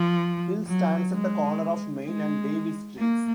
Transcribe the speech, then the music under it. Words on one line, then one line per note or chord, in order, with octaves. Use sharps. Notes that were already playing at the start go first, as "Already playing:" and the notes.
Hill stands at the corner of Main and Davis streets.
Already playing: F3
F#3
G#3
G#3
A#3